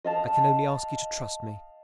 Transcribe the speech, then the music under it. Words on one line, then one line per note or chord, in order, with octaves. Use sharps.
I can only ask you to trust me.
D#5 F5 A5